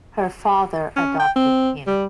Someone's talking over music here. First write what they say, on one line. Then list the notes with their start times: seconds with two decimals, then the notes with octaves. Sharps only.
Her father adopted him.
0.96 C#4
1.19 G5
1.36 C4
1.87 G3